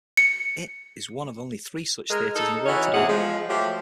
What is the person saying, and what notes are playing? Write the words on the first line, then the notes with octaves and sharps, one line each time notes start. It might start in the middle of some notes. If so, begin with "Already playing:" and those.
It is one of only three such theaters in the world today.
C#7
G#3 A#4
D#4 A4
E3 C#4 D#4 F#4 C#5
E2 A2 C3 G#4 F#5
F3 G#3
F3 F#3 A3 G4